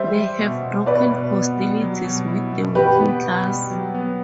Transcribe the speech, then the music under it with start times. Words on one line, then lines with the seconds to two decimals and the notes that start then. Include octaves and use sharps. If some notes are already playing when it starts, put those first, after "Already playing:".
They have broken hostilities with the working class.
Already playing: G3 C5 E5
0.16 G3
0.39 B2
0.63 B2
0.86 B2 B4 D5
1.11 B2
1.34 B3
1.57 G3
1.81 F#3
2.04 B2
2.28 E4
2.53 B2
2.75 F#4 G4 B4
2.99 B3
3.23 B2
3.46 G3
3.71 F#3
3.95 B3